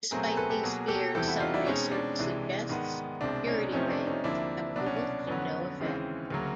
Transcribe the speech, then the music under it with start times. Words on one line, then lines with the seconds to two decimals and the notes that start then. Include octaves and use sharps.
Despite these fears, some research suggests purity rings have little to no effect.
0.11 B2 F#3 A3 C4 G#4 A#4
0.24 G#4 A#4
0.37 A4 B4
0.50 G4 A4
0.63 B2 F#3 A#3 F#4 G#4
0.88 G4 A4
1.15 E2 C3 E3 G3 C4 G4 A4
1.28 E4 F#4
1.40 D#4 F4
1.54 D4 E4
1.66 B2 G#3 C4 C#4 D#4
1.92 D4
2.18 C2 C3 E3 G#3
2.69 G#2 D#3 G#3 B3
3.21 C2 B2 G#3 C4 D4
3.47 C#4 D#4
3.72 F2 C3 F3 A3 C4 C#4 D#4
3.90 D4
4.07 C#4 D#4
4.24 D2 C3 F3 A#3 D4 E4
4.76 C2 B2 F#3 B3 D4
4.86 C#4
4.96 D4
5.27 F2 D3 F#3 B3 C#4
5.80 D#2 C#3 E3 G#3 C4
6.30 D2 C#3 F#3 A#3